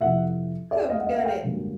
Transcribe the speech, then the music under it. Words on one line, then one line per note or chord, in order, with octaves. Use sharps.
Who Done It?
F2 C3 E3 E5 F#5
D5 E5
D#5 F5
F#5
D#5 F5
E5 F#5
F5 G5
G#1 F#2 D3 G3 A#3